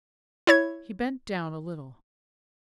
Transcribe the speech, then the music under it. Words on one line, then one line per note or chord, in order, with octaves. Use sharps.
He bent down a little.
E4 C#5 G#6